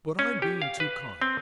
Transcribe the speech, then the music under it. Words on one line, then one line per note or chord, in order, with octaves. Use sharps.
But I'm being too kind.
C#4
G4
F5
B4
C4